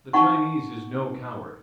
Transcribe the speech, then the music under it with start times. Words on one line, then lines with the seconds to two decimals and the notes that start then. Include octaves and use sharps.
The Chinese is no coward.
0.13 D#4 F#5 C#6